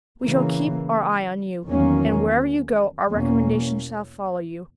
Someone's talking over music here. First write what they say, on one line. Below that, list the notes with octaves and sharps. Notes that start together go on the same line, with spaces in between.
We shall keep our eye on you, and wherever you go, our recommendations shall follow you.
C#3 E3 A#3
E2 D#3 F#3 A#3 C#4
E2 B2 A#3 C#4